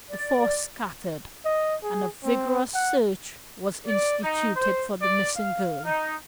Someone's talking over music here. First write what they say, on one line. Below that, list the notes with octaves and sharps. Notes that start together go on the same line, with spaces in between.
The four scattered, and a vigorous search was instituted for the missing girl.
D5
D#5
G#4
C4
F#5
D5
D#4
C5
D5
F5
D#4